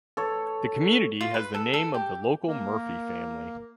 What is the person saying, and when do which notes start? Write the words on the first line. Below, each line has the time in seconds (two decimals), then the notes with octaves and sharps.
The community has the name of the local Murphy family.
0.17 A4 C#5
1.21 F4
1.34 B4
1.54 A4
1.74 A4
1.94 G4
2.48 A#3